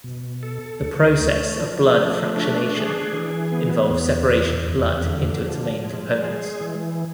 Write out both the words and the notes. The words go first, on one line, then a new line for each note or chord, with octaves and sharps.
The process of blood fractionation involves separation of blood into its main components.
B2
A4
D2
A3
F3
A3
D4
G#4
E3
B3
E2
E2
F2
D3
F3
G#3
G#4
E3